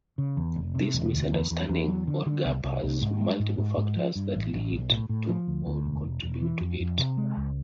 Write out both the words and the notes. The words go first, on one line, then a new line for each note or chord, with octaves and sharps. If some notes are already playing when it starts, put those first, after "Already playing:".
This misunderstanding or gap has multiple factors that lead to or contribute to it.
C#3
E2
F1
C3
E1
D2
E2
E2
E2
F#3
D3
D3
C2
C2
C2
G#2
G#3
G#2
G#2
G#2
F3
G2
A1
A1
B1
A2
A2
F3
D2
D2
E1
E1
E1
E3
F2
F2
C3
G#3
C#2